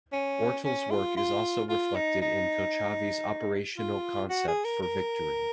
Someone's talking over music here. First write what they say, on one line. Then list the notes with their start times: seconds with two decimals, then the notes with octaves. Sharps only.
Ortal’s work is also reflected in Kochavi’s Operational Concept for Victory.
0.13 C#4
0.65 C#4
0.91 F4
1.17 F4
1.69 F4
1.95 D#4
2.22 D#4
3.78 F4
4.30 F#4
4.47 G#4
4.65 A#4
4.82 A#4